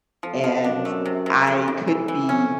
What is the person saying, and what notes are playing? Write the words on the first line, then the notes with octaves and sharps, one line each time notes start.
and I could be,
F2 F3
F3
F#2 D4
A3
C3
C3
F2 G3
D#3
E3
E3
F2 C#4